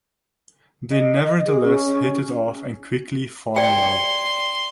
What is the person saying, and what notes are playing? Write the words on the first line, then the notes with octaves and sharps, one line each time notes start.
They nevertheless hit it off and quickly fall in love.
D#5
G#4
C#4
D5 G5 C6